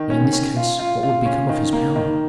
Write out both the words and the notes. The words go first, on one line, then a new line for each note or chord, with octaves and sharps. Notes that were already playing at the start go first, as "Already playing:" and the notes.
But in this case what would become of his power?
Already playing: D#3
C#4
C#4
F4
F4
F4
C#4
D#3
A#3
D#3